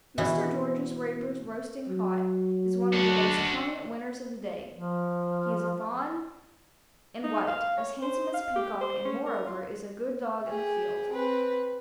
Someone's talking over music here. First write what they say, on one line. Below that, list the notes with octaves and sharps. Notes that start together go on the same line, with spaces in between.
Mr. George Raper's Roasting Hot is one of the most prominent winners of the day; he is a fawn and white, as handsome as a peacock and, moreover, is a good dog in the field.
B2 E3 E4 F#4
F#3
D4 F#4
F3
D#4
F5
C#5
C5
F5
G4
C5
C#4
A#4
F4
G4 G#4
C4 B4